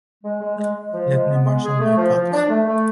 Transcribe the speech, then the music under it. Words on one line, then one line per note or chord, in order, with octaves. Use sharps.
Let me marshal my facts.
G#3
G#3
G#3
G#3
F3
G#3
B3
G#3
G#4
A3
F3
F3
D4
A3
A3